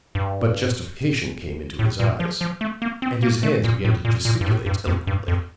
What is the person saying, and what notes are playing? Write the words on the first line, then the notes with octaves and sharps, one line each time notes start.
But justification came into his eyes, and his hands began to gesticulate eloquently.
G2
A2
A#2
F3
F3
A3
A#3
C4
A#3
A3
A#2
A2
A#2
A#2
G2
A2
G2
F2
G2
F2